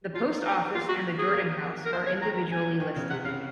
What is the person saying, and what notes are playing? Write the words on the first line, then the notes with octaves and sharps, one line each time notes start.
The post office and the Jordan House are individually listed.
F#3 F4
D#4
A#3 F4
F#4
G#4
A#3
A#3
A#4
F3 C5
C#5
F3
D#3 A#5
G#5
D#3
C#3
C3 F#5
C#3 F5